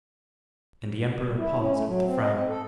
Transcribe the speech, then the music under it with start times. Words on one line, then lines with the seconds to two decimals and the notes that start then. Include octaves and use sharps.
And the Emperor paused, with a frown.
1.25 G3
1.38 E4
1.58 C#4
1.74 A3
1.87 F#3
2.05 C4
2.21 D#5
2.34 C4
2.49 A4